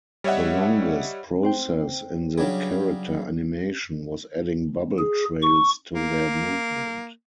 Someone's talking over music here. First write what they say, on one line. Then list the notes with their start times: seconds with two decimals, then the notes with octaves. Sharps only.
The longest process in the character animation was adding bubble trails to their movement.
0.24 G3 C#5 D#5 E5 F#5
1.43 C4 C5 G5
2.38 C#3 F#3 G3 D4 G#4
4.99 G#4
5.42 C#6
5.94 A#3